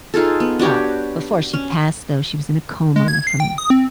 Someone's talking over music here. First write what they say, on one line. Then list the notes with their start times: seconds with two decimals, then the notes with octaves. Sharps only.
uh, before she passed though, she was in a coma from
0.14 D#4 F4 G#4 A4
0.40 B3
0.59 D4 F#4 G4 C#5
1.53 C#4
2.96 G#3
3.08 G#6
3.27 C7
3.40 G5
3.58 D#6
3.70 C4